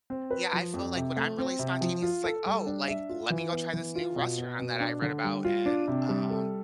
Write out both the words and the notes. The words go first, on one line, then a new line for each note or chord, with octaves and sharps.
Yeah, I feel like when I'm really spontaneous, it's like, "Oh, like, let me go try this new restaurant that I read about in, um,
C4
B4
F3
F2
C3
A3
C4
C3
F3
F4
A4
G3
D4
E5
F4
E3
B3
E3
F4
B2
B3
B2
D4
D3
G3
F4
D4
C3
G3
A4